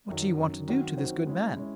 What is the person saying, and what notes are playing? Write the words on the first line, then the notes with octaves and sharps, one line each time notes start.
What do you want to do to this good man?
F#2 D#3 F#3
F#2 D#3 F#3
D#3 F#3 C4 F#4 C5
D#3 F#3 C4 F#4 C5
G#3 C#4 E4
G#3 C#4 E4